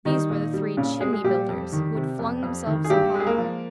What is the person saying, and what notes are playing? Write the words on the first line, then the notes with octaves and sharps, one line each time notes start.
These were the three "chimney-builders," who had flung themselves upon him.
D#3 G3 D#4
A#2
G3
A#2 C#3 C#4
G3 G#3 G#4
G#4
A#2 G3 G4
F2
D#3
C3
F2
F2
D#3
G#4
G2 G3 G4
G#3
G#4
A#3 A#4
F3